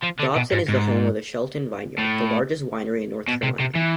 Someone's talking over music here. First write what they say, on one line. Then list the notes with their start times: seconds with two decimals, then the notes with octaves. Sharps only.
Dobson is the home of the Shelton Vineyards, the largest winery in North Carolina.
0.03 F3
0.19 D3
0.36 B2
0.52 G#2
0.68 G#2
1.98 A2
3.28 B2
3.43 C3
3.60 C3
3.75 E3